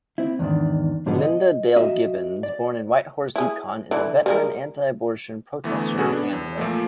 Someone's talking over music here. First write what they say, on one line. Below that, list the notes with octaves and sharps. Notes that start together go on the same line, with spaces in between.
Linda Dale Gibbons, born in Whitehorse, Yukon, is a veteran anti-abortion protester in Canada.
C4 E4
E2 G#2 D#3 D4
G#2 D3 F3 G#3 B3
D#5
F#4 D#5 E5
D5
E4 G#4
D3 E3 E4
G3 G#3 A#4
D2 E3 A3 B3
B2 C#4 F#4 G#4 A4
B3 D4
E2
A#2 F3 A3